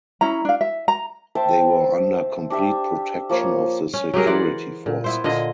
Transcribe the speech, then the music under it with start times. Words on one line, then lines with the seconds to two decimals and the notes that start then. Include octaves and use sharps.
They were under complete protection of the security forces.
0.21 C#4 E4 A#5
0.45 D4 F5
0.61 E5
0.88 A#5
1.35 C5 E5 G5 A5
2.50 D4 G4 E5
3.29 F3 A#3 C5 C#5
3.94 C#4
4.14 F#3 G4 G#4 A#4
4.26 E3 C5 D5 F#5
4.86 A#2
5.04 B3 E4 C5
5.24 A#2 D3 D#5